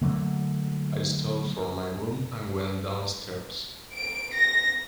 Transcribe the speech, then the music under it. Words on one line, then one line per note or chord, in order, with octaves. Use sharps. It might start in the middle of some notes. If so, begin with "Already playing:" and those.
I stole from my room and went downstairs.
D3 F#3 A3 A#3
D7
A#6